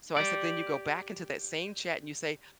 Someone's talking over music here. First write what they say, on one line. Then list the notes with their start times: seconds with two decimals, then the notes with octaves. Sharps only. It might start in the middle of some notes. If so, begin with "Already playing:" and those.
So I said, "Then you go back into that same chat and you say,
0.17 G4 D5